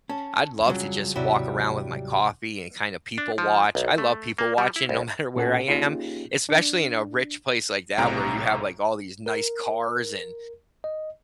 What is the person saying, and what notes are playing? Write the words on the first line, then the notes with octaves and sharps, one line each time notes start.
I'd love to just walk around with my coffee and kind of people watch. I love people watching no matter where I am, especially in a rich place like that where you have like all these nice cars and,
C#4 A5
F2 C#3 F#3 G3
D#2 G#2 C3 F#3 G3 E4
D4
F3
B1
A3
A#3
G3
E4
C2
A#2 C#4 F#4 A4 F#5 G#5
A#3 C#4 D#4 F4 G4 G#4
D4
B1 A2 C3 A#5 D7
A#4
D#5